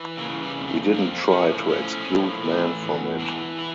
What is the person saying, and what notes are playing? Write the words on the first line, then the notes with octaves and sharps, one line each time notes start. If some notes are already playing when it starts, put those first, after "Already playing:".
We didn't try to exclude men from it.
Already playing: E3
C#3 A#3
G3
F2
A3
F3 A#3
A2 C#4
F3 C#4
A2
E3
E2
E3 D4
E4